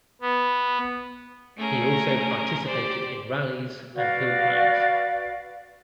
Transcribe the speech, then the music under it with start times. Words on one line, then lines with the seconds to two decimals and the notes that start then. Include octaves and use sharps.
He also participated in rallies and hill-climbs.
0.21 B3
1.58 A3 C#4 G#4 A#4
2.64 G4 C5 D5
3.95 F#4 B4 D5 F5